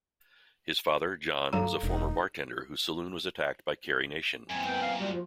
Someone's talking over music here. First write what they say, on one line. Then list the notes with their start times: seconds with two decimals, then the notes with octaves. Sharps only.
His father, John, was a former bartender whose saloon was attacked by Carrie Nation.
1.53 G2 F#3 A4 F5 A#5 E6
1.83 E1 D#4
4.49 F#2 A#2 E3 C4 G#5
4.66 B3 G5
4.82 F5
5.00 D#2 G3 F4 F#4
5.13 F3